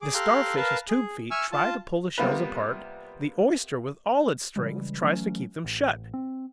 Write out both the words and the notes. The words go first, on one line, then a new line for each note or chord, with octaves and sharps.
The Starfish's tube-feet try to pull the shells apart; the oyster, with all its strength, tries to keep them shut.
G#4 D6
G4 A4 F5 A#5 C6 F#6
A#4 B4 F5 A5
G#4
E5 G#5 C#6 E6 F6
F4 A5
C3 G3 A#3 B3 F4 B4
C#3 E3 G3 G#3
E3 F#3 A3 C#4
A1
C4